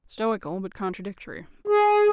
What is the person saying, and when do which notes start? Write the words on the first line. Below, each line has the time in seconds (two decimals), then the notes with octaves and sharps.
Stoical, but contradictory.
1.68 G#4